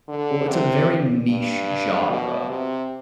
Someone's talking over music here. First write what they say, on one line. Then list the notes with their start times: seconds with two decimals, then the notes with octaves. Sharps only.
Oh, it's a very niche genre,
0.08 D3
0.49 C3
1.29 G2
2.10 B2
2.50 C3